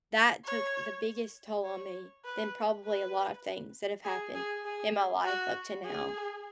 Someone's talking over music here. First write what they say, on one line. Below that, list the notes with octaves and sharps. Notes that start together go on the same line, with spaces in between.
that took the biggest toll on me than probably a lot of things that have happened in my life up to now.
C#5
C#5
B4
B4
G#4
G#4
G#4
F#4
G#4